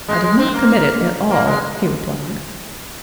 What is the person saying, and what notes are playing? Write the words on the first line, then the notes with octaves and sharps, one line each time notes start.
"I did not commit it at all," he replied.
G#3
G#3
C4
A#3
A#3
G#3